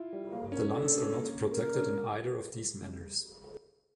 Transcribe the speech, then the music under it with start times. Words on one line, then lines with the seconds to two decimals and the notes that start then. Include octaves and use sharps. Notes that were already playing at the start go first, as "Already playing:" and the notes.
The lungs are not protected in either of these manners.
Already playing: E4 F4
0.13 G3
0.32 A#3 F5
0.52 C#4 A#4
0.72 D4 A4
0.92 D4
1.03 C#4
1.13 A#3
1.25 C#4
1.51 A#4
1.73 D4
1.81 C#4